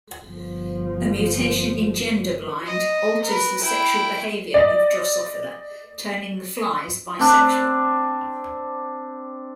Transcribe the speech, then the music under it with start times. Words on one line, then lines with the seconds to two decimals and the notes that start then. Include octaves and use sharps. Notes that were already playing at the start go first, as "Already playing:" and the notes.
A mutation in Genderblind alters the sexual behavior of "Drosophila", turning the flies bisexual.
0.23 G1 F3
2.66 D#5
3.23 A#4 B4
3.62 E4 G5
4.54 D5 D#5
7.19 C4 D4